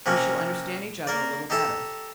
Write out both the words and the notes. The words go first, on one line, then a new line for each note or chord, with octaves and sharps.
"We shall understand each other a little better."
C3 F3 A#3 C#4
A#3 A#4 D5
D#4 G4 A4 G5 C6